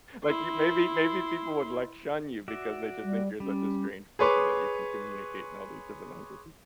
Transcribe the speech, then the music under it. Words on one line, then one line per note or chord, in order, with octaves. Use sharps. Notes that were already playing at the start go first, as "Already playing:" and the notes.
Like, you maybe maybe people would, like, shun you because they just think you're such a strange person that you can communicate in all these different languages.
E4 C6
F#4 D5 E5
G3
G3 C#4
G#4 B4 C#5 C6 D6